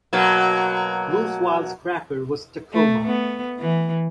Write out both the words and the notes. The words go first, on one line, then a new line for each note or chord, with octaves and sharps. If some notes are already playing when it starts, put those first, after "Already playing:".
Loose-Wile's cracker was "Takhoma".
B2 F#3 A#3
A3
A3 B3
E3